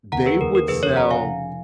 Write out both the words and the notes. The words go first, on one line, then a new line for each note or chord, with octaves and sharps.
they would sell
D#2 F#5 A#5
G#4 B4
D#2 A#4
A#4
F1 G#4 B4
A#4 C#5
C#3 F#5 A#5
F5 G#5
F1